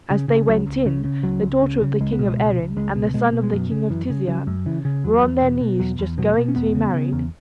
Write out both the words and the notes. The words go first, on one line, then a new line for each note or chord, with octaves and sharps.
As they went in, the daughter of the king of Erin and the son of the king of Tisean were on their knees just going to be married.
C#3
C#3
C#2 F#3
C#2
C#3
C#3
C#2 F#3
C#2
C#3
C#3
C#2 G#3
B3
B2
G#3
C#2
C#2
C#2 G#3
B2
B2 G#3
B2
G#3
F#2 F#3
C#3
F#2 E3
C#3
C#3 F#3
F#2
C#3 E3
C#3
E2 F#3
E2
B2
B2
E2 F#3
E2
B2 F#3
B2
C#4
E2 B3
C#3
C#3
E2